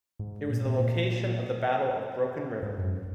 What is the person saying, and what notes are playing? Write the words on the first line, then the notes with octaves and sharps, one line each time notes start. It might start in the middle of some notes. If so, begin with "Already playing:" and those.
It was the location of the Battle of Broken River.
G#2
A#2
A#2
A#2
G#2
F#2